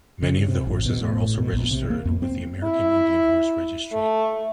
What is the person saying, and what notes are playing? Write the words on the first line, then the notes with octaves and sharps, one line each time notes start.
Many of the horses are also registered with the American Indian Horse Registry.
C#3
C3
A1
B2
A2
B2
A#1
C3
A#3
F2
C4
E4
A3